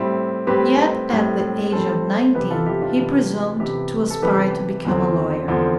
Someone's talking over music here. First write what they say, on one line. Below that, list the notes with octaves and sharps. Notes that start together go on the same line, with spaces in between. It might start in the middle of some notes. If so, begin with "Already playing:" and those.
Yet at the age of nineteen he presumed to aspire to become a lawyer!
Already playing: A2 G3 C4 E4
A2 G3 C4 G4 B4
A2 G3 C4
A2 G3 C4 A4 C5
C3 E3 B3 G4 B4
F4 A4
E4 G4
D4 F4
C3 E3 B3
C3 E3 B3 G4 B4
A4
C3 E3 B3 G4 B4
E2 D3 F3 C4
E2 D3 F3 C4